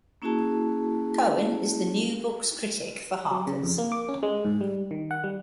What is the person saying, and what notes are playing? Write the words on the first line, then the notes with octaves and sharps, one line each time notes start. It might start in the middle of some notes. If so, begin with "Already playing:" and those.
Cohen is the New Books critic for "Harper's".
A#3 C#4 E4 F#4 G#4 A5
F#3
C#3
F2
A#3
D6
C#4
G#3
G#2
G3
D#3
F#5
G3